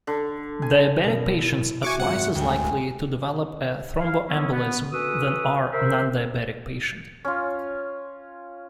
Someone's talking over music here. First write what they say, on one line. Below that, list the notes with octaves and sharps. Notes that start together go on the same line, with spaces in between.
Diabetic patients are twice as likely to develop a thromboembolism than are non-diabetic patient.
D3
G#5
F#2 B2 A#4
E4
F#4 E5 G#5 C#6 D6
G#1 C#2 F#2 F#5
D2 G5 G#5
E4 F5
D#3 F3 F#3 B3 C#4 E4
B3
D2 C#4 F#4 B4 D#6 E6
A#4 C5 E5
C#4 F4